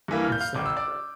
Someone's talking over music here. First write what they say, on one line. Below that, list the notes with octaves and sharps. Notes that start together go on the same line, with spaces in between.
and stuff, so
G2 E3 A#3
F6
G6
F5 F6
A1 D6
E6
D5 D6